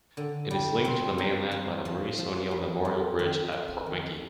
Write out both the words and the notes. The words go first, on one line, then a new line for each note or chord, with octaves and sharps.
It is linked to the mainland by the Maurice O'Neill Memorial Bridge at Portmagee.
D3
G3
C4
D#4
F3
F3
F3
B3
F2
D#3
F2
D#3